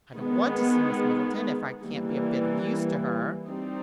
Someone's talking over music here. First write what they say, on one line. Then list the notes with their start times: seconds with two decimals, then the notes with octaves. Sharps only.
"I don't want to see Miss Middleton, if I can't be a bit of use to her."
0.16 D#3 G#3 B3
1.82 E3 G3 A#3
3.48 G3 C4 D#4